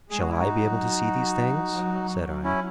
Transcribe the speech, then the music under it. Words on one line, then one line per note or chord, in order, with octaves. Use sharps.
"Shall I be able to see these things?" said I.
G#3 G#4
F#4
E4
D#4 F#4
F#3
F#3
F#3
C#4 E4